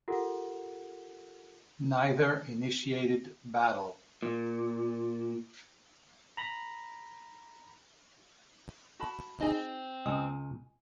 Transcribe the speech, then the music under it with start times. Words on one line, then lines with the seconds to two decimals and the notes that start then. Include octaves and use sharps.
Neither initiated battle.
0.08 F4 G4 A4 A#4 F#5
4.22 A#2
6.37 A#5 B5 A#6
8.99 F#4 A5 B5
9.41 C4 D#4 G#4
10.06 C#2 D#5 G#5 E6